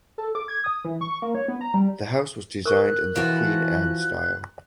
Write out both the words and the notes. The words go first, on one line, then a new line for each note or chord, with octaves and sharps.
The house was designed in the Queen Anne style.
A4
D6
G#6
D#6
E3
C#6
A#3
C#5
B3
A#5
G3
A#4 C#6 F#6
E3 F3 F#4